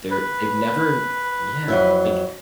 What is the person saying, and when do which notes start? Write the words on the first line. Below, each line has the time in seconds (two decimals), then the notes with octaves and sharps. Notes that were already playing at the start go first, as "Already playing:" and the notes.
they're they've never Yeah, like,
0.11 B4
1.68 F2 F#3 E4